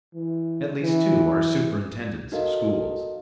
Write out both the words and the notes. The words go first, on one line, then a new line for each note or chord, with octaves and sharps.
At least two are superintendents of schools.
E3
E3
D#4 F#4 A4 A#4 D#5 F5